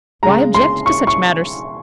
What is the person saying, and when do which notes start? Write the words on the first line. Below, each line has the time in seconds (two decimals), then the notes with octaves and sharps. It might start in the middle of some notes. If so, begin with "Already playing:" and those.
Why object to such manners?
0.23 C#3 G#3 A#5
0.54 C6
0.86 C#6
1.07 C#6